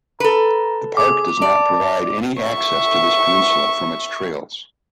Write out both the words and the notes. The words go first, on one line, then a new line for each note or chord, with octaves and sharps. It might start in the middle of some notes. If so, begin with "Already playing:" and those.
The park does not provide any access to this peninsula from its trails.
A4 B4 A#5
G#4 D6
D5 A5
E5 C#6